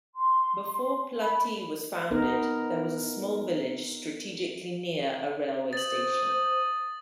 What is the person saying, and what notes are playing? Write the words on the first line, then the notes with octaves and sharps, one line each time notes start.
Before Platy was founded, there was a small village strategically near a railway station.
C6
B5
B3 D#4 A#4
C5 D#6 A6 F#7